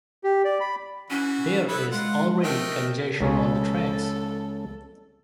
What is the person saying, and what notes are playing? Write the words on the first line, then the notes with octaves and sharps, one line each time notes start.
There is already congestion on the tracks.
G4
D5
B5
E3 C#4 F#4
B3 E4 A4 B4
G#3 F4 F#5
A3 A#4 D#5 G5
C#2 C#3 C#4 A4